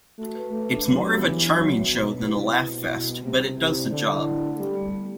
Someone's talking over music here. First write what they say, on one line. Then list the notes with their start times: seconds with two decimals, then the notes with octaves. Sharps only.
It's more of a charming show than a laughfest, but it does the job.
0.18 A3 F#4
0.35 B4
0.52 A3 B4
0.70 D4
0.86 F#3 B3
1.03 G4
1.20 E3 D4
1.37 B3
1.54 F#3 E5
1.70 D4
1.88 B2 D4
2.04 B4
2.21 C3 E4
2.39 E4
2.55 B2 F#5
2.72 E4
2.90 B2 B4
3.06 G3
3.23 C3 C4
3.41 C4
3.57 C3 E4
3.75 D5
3.91 D3 D5
4.08 E4
4.25 E4
4.42 A3
4.59 G3 C4
4.76 A3
4.93 B3